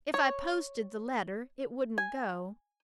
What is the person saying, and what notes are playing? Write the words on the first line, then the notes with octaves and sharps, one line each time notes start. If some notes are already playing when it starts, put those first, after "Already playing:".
If I posted the letter, it wouldn't go.
C#5
G#5